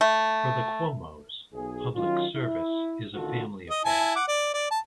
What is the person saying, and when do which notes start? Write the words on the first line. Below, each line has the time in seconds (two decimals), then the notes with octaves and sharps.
For the Cuomos, public service is a family affair.
0.01 A3
1.53 B1 G#4
1.95 D#3 F#3 C#4 F4
2.36 E4
3.14 A1 D3 D#3 F4 F#4 A4
3.70 D#5
3.85 E4 G#5 A5
4.16 F#5 D6
4.28 D5
4.54 D5
4.71 A5